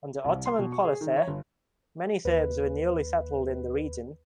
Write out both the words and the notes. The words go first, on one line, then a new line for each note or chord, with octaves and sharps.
Under Ottoman policy, many Serbs were newly settled in the region.
C2
C6
B2
C#6
G#4
D#3
C#5
G1
D#2 B4